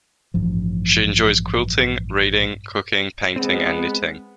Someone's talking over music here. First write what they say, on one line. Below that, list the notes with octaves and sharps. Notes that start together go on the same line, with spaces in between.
She enjoys quilting, reading, cooking, painting, and knitting.
A1 G2 F3
G#3 B3 C4